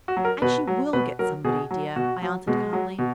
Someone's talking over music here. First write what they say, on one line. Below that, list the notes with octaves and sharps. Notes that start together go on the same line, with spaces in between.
'And she will get somebody, dear,' I answered, calmly.
F#4
F#3
A#4
B2 B4
F#3
B2 B4
F#3 A#4
B2 G#4
F#3
B2 F#4
F#3
B2 G#3
F#3
B2